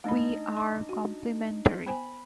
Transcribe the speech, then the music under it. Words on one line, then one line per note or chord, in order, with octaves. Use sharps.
We are complementary.
A3 D4 D#4 D#5 B5
C6 D6
F#4
B3 C5 G#5 B5